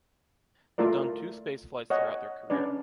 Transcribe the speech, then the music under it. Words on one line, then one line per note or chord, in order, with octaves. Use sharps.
They’ve done two space flights throughout their career.
A3 E4 F4 A#4 D5
C#5 D#5 F#5
C#4 D4 B4 D5